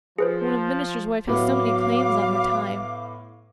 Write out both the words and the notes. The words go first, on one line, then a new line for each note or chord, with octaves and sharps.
When a minister's wife has so many claims on her time!
F3 G#4 B4 C5
A2 F#3 B3 F5 D6